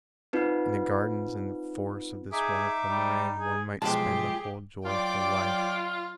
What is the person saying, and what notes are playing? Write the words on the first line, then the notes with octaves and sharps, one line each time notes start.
In the gardens and forests of this wonderful moraine one might spend a whole joyful life.
C4 D#4 F4 B4
D#4 G#4 E5 D6
G3
G#4
B1 C3 F3 G#3 G4 G#4 A5
F#3 F4 D5 G5 D6